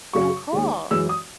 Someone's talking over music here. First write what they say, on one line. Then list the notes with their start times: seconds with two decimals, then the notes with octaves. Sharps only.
Oh, cool.
0.13 F#2 C#3 F#3 C#6
0.53 D#2 D#3 G#3
0.91 F#2 E3 G#3 E6
1.09 D#6